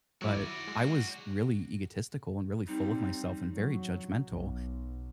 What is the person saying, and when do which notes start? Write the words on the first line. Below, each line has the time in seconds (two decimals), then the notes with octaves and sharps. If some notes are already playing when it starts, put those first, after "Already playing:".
but I was really egotistical, and really full of myself, and very judgmental.
0.22 F#3 E4 F#4 D5
0.68 G#3
2.68 G3 C4 D#4
3.54 F#3
4.27 B1